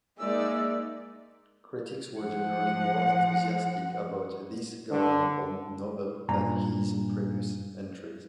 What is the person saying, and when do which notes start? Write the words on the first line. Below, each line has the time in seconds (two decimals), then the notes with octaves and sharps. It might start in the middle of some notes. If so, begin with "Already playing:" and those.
Critics were generally more enthusiastic about this Gardner Bond novel than his previous entries.
0.19 G#3 A#3 D#4 D5 E5 E6
2.18 F3 F#5
4.91 D3
6.29 G2 A#2 A#5